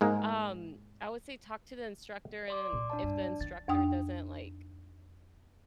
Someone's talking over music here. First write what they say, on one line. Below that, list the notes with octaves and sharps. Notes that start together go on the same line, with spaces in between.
um, I would say talk to the instructor, and then, if the instructor doesn't, like
G#2 G#3 A#3
D5 C6 D6
A#2
D4 D5 A5
G2
D#3 A6
F2 D4 G5 D#6